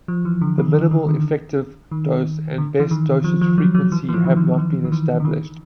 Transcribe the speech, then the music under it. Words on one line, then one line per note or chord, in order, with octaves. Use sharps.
The minimal effective dose and best dosage frequency have not been established.
F3
E3
D3
D#3
D3
D#3
D3
D#3
D3
E3
D#3
F3
F3
F#3
F#3
E3
E3
F3
D#3
E3
E3
D#3
E3
D3
D#3